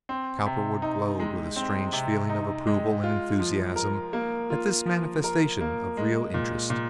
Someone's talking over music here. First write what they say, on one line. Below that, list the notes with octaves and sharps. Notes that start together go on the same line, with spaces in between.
Cowperwood glowed with a strange feeling of approval and enthusiasm at this manifestation of real interest.
C4
C3
D#4
G#3
C4
C3
D#4
G#3
F4
F3
A#4
A#3
F4
F3
A#4
A#3
G#3
A#2
A#2